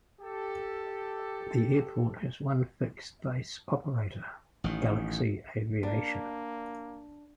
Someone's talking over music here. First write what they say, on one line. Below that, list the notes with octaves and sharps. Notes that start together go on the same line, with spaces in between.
The airport has one fixed-base operator, Galaxy Aviation.
G4 A4
A1 D#3
A#3 D4